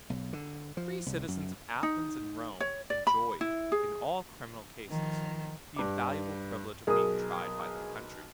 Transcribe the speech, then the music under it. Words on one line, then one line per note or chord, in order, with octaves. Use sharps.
The free citizens of Athens and Rome enjoyed, in all criminal cases, the invaluable privilege of being tried by their country.
B1
D3
F3
C2
F#2
D#4
C#5
D5
B5
E4
G#4
D#3 F3
G2 D6
B1 G#4 A#4 D#6